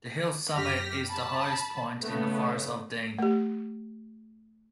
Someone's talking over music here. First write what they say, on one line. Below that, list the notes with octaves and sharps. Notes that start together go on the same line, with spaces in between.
The hill's summit is the highest point in the Forest of Dean.
F#2 G4 F6 A#6 B6
A5 B5
C#3 A3 B3
A3 G4